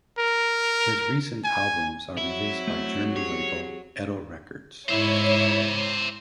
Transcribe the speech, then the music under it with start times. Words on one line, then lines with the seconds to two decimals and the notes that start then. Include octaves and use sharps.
His recent albums are released by German label, Edel Records.
0.19 A#4
1.45 G#5
2.17 F#3 C4 E4
2.68 A3
3.16 G4 G#4 C#5
4.89 G#2 E4 C5 C#5 E5